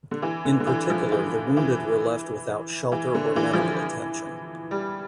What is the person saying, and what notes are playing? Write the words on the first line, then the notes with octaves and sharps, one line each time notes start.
In particular, the wounded were left without shelter or medical attention.
D3
E3
D3
D3
E3
F3
E3
E3
E3
D3
E3
F3
E3
G3